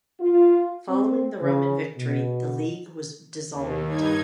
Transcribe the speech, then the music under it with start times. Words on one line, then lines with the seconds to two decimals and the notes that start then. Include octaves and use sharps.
Following the Roman victory, the league was dissolved.
0.20 F4
0.89 C4
1.42 C#3
1.96 B2
3.52 D#2
3.86 G2 D#4 G#6